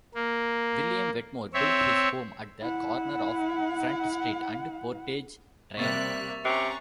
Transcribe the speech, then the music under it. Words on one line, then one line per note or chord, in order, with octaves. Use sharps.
William Wetmore built his home at the corner of Front Street and Portage Trail.
A#3
C4 C#5 E5
E4 F#5
C3 G3 A#3 E5 C#6 F#6 A6 F7
C3 C#4 A#5 C#6 F#6 F7